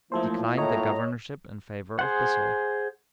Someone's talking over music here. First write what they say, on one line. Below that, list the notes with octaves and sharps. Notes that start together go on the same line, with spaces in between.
Declined the governorship in favor of Bissell.
F3 F#3 A3 A#3 E4 F4 A4 C5
A2 C#5 D#5 A#5
G#4 C5 F#5